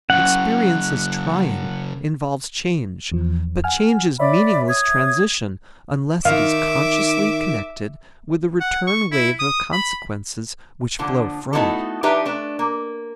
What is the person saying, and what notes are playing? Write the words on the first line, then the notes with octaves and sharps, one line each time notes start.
Experience as trying involves change, but change is meaningless transition unless it is consciously connected with the return wave of consequences which flow from it.
C#3 F#3 F#5
E2 F3
F#5 G#5 F6
C#5 D5 E5 B5
D#6 G#6
D#3 D#4 E5 F5 D6
F#5
C#6
E4
D#6
B5
A#2 D3 F3
A3 B3 D#4 E4 F#4 A4
F3 D4 D#4 G4 B4 E5
A3 D4
A#3